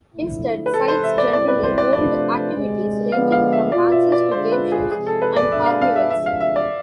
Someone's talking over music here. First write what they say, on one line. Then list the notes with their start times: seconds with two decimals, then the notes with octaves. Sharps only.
Instead, sites generally hold activities ranging from dances to game shows and carnivals.
0.14 D3 F3 A3 E4
0.66 B4
0.73 C3 E3 G#3 A4
0.88 C5
1.03 E5
1.18 D5
1.33 C2 B2 G#3 C4 E4 D5
1.48 B4
1.64 C5
1.78 D5
1.93 C3 F3 A3 D4 F4 D5
2.52 D2 C3 G#3
3.12 D3 F3 G#3 B3 F5
3.32 F5
3.52 E5
3.72 B2 B3 F4 D5
3.92 E5
4.12 D5
4.31 D3 G#3 D4 F4 C5
4.52 B4
4.72 G#4
4.91 C3 F3 G#3 G#4
5.06 A4
5.22 B4
5.36 D5
5.51 B2 G#3 D4 E5
5.66 F5
5.82 F5
5.96 E5
6.10 D2 C3 F3 G#3 D4 E5
6.26 F5
6.41 E5
6.56 D5